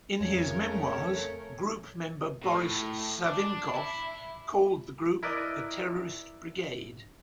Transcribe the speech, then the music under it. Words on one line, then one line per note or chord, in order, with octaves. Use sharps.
In his memoirs, group member Boris Savinkov called the group the Terrorist Brigade.
F2 C#3 A3 A#4 C#5
A2
D4
E4
E4 A#4 B4 D5 D#5